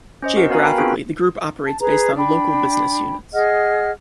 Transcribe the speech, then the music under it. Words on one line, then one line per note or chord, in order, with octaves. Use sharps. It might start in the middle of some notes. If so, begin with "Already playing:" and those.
Geographically, the group operates based on local business units.
C#4 C5 D#5
F#4 A#4 F#5
B3 F#4 B4 F5 G#5 A#5
F#4 A#4 F5 G5 B5
B3 C4 D4 F4 F#4 G#4
A5
G#4 B4 A#5
D4 G5 B5
G#4 D#5 F#5 F6